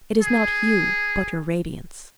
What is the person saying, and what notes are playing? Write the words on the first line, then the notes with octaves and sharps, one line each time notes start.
It is not you, but your radiance.
G#4